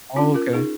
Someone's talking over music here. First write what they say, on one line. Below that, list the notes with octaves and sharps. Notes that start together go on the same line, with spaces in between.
Oh, okay.
C#4 F4
F4 A#4
D#4 G#4